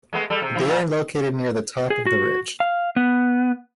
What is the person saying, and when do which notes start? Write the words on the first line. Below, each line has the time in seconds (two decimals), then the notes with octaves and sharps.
They are located near the top of the ridge.
0.13 G#3 A3 B3
0.30 G3 A4
0.42 C3
0.55 F3 E4
0.68 A#2 F4
1.90 G#4
2.06 F#4
2.60 F5
2.96 B3